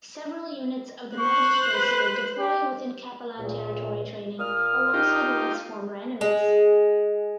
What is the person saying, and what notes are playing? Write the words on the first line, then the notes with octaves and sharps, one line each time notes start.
Several units of the magistracy deploy within Capellan territory training alongside once former enemies.
C5 C#6 F#6
B4
G4
C#2 A#2
A#2 D#6 F6
D#4 F4 G4
G#3